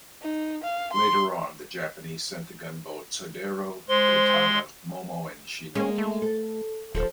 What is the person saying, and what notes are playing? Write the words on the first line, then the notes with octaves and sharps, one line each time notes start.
Later on the Japanese sent the gunboats "Hodero", "Katata", "Momo" and "Shinoki".
D#4
F5
C6
G#3 C5 C6
G#3 A#3 C#4
A3
A4
D#1 F3 A4